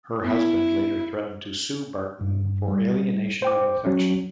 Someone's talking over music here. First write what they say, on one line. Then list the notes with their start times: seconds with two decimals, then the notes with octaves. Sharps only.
Her husband later threatened to sue Barton for alienation of affection.
0.24 B3 E4
2.21 G2
2.68 G3
3.42 C5 G5 D6
3.85 F#3 C#4